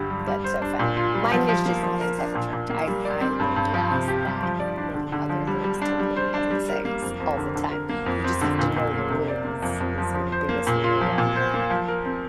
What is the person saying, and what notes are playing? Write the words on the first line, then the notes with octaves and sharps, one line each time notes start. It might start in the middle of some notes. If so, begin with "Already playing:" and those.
That's so funny, mine is just not inside the church. I I will blast that, and many other lyrics to many other things all the time, you just have to know the room is is my biggest rule on that.
Already playing: G2 D3 G4
G3
G3
C5
D4
A#2
F4
G3
F3
F3
A#3
F3
A#4
D4
A#2
A#2
A#3
G3
D5
C4
G2
G2
F3
C3
G4
G3
F3
D5
D4
D3
D3
F3
G3
G3
D4
G3
C5
D4
G3
A#4
A#3
F2
F2
D3
D3
A#4
A#3
F2
C4
D3
A#2
A#2
A#3
C3
D5
A#3
F2
F2
F3
F3
C5
A#3
A#2
F4
F3
A#2
C5
A#3
F3
A#4
C4